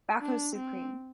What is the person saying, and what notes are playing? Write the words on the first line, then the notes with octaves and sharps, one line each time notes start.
Bathos supreme.
D4
C4